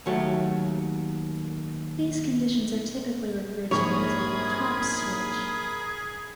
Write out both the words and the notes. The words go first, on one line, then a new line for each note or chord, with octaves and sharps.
These conditions are typically referred to as a "pop switch".
D#2 F#3 A3
A#1 G#2 G3 G#4 A#4 C#5 B5 D#6